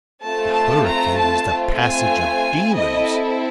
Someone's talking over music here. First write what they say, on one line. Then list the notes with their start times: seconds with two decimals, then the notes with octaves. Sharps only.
The hurricane is the passage of demons.
0.23 A3 C4 F4 A4 A5
0.54 A5
0.86 A#5
1.17 A5
1.49 A3 C4 F4
1.80 G#5
2.74 C4 E4 A4 D#5